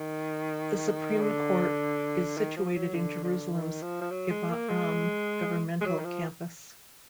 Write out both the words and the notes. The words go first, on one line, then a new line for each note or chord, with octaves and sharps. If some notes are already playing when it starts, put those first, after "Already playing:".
The Supreme Court is situated in Jerusalem's Givat Ram governmental campus.
Already playing: D#3
D3
D#3
F3
F#3
D3
D3
D#3
F3
F3
F#3
G#3
A#3
G#3
G#3
F#3
D#3
F3